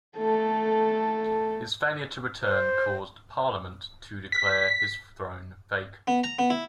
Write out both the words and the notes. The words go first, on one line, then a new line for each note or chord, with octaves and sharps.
His failure to return caused Parliament to declare his throne vacant.
A3 A4
C5
B6
B3
A#5
B3
E4